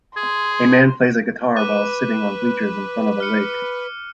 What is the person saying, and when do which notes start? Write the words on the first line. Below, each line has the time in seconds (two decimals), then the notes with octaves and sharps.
A man plays a guitar while sitting on bleachers in front of a lake.
0.17 G#4 C6
1.56 B4 D6 F#6 D#7
3.20 F6 C#7